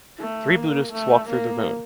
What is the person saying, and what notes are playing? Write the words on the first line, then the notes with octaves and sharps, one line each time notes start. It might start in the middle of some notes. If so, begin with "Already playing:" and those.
Three Buddhists walk through the moon.
A3
A#3
A3
A#3